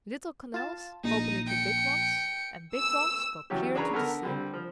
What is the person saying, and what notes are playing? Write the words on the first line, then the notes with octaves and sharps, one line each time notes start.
Little canals open into big ones, and big ones go clear to the sea.
F4 A5
A#1 D#4 D#5
G5 C#7
E6
E2 F#3 C#4 G4
C#4 D4 G#4 B4 C#5 A#5
D3 B3 A4 A#4
D3 G3 C4
F3